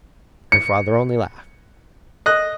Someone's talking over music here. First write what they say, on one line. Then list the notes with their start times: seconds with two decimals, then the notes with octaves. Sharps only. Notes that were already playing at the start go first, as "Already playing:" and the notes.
Her father only laughed.
0.52 C#7
2.26 D#5 F#6